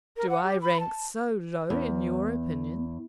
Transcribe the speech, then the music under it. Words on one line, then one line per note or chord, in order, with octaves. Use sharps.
'Do I rank so low in your opinion?'
A#4
F#5
G4
B5
A5
E2